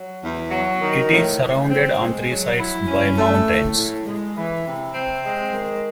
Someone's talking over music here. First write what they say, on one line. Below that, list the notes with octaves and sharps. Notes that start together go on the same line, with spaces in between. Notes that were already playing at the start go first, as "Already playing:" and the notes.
It is surrounded on three sides by mountains.
Already playing: F#3
E2
F#3
D#3
A2
A2
C4
G#3
F#3
E4
C#4
A3
A2
A2
G#3
E3
C3
C4
G#3
D#3